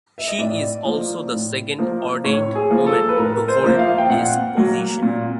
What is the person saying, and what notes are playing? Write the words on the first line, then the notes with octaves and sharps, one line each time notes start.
She is also the second ordained woman to hold this position.
E5
D#5
A2 D5
F3 A#3
A2
F3 A#3
A2 C#5
G#4
F3 A#3
A4
B4
A2 A#4
C5
F3 A#3
E5
F5
G5
A#2 F#5
F#3 A#3
A#2